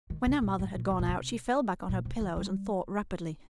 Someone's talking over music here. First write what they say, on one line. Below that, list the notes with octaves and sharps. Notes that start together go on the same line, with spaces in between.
When her mother had gone out she fell back on her pillows and thought rapidly.
D#3
C3
A#2
G#2
A#2
C3
A#2
C3
A#2
C3
D#3
G3